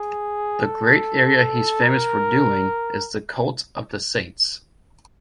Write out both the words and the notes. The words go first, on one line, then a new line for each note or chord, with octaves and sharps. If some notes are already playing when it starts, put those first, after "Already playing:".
The great area he's famous for doing is the cult of the saints.
Already playing: G#4
A4
A#4